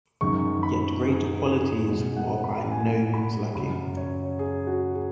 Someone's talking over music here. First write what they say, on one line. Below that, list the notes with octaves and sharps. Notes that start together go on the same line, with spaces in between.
Yet greater qualities were by no means lacking.
F#2 D#3 G#3 C#6
B5
G#4
G#4
B2 G#3 G#4
F#5
B5
G#5
B5
F#2 C#3 F#3 B5
C#5
G#4
F#4
G#4